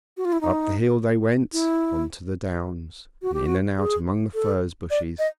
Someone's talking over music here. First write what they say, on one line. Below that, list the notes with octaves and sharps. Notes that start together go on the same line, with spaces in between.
Up the hill they went on to the downs, and in and out among the furze bushes.
F#4
F4
E4
D#4
E4
F#4
G4
F#4
G#4
A4
D5
D#5